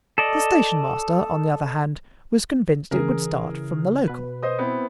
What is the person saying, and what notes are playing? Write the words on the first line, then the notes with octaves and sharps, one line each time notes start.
The station-master, on the other hand, was convinced it would start from the local.
A4 D5 D#5
C#3 E3 G#4 A#4
B2 B4
C5 D#5 D#6
B3 C4 E4